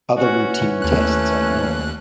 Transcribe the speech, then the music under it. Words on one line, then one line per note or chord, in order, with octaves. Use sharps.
Other routine tests are normal.
E3 C#4 F#4
D#2 A3 F#6